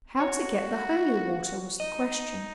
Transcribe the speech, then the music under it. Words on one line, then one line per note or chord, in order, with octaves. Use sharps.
How to get the holy water was the question.
F#4 C#5
D#4 D#5